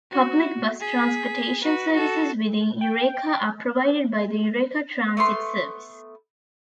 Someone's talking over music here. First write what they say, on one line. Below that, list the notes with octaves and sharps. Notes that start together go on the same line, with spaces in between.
Public bus transportation services within Eureka are provided by the Eureka Transit Service.
F#4
G#4 B6
F#4 B4
F#4 A4
G5
A3 B3 C6